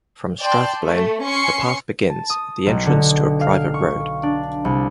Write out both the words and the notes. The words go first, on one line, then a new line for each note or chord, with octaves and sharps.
From Strathblane, the path begins at the entrance to a private road.
D5 G5 A5 C6
A3
C#4 C6 C#6 C7 C#7
A5
D#6
B1
D3
F5
C#6
D4
C2